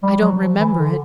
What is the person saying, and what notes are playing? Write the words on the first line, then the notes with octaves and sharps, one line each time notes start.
I don't remember it.
G3
F#3
F3
E3
D3